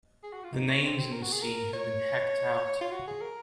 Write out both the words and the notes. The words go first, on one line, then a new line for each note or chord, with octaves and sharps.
The names in the scene have been hacked out.
G#4
F#4
F4
D#4
C#4
C4
C4
A#4
F#4
G#4
A#4
C#5
F4
F#4
G#4
A#4